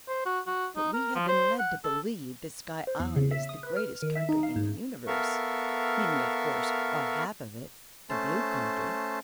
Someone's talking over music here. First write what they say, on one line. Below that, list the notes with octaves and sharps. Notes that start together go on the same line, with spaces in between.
"But we have been led to believe that Sky Island is the greatest country in the universe--meaning, of course, our half of it, the Blue Country."
C5
F#4
F#4
D#4
A#4
F3
C5
F#5
A4
C5
E2
C#3
E5
D#6
B4
F6
D#3
E5
D#4
F5
G#2
B3 A4 A#4 E5 F5 C#6
A3 C#4 C5 A5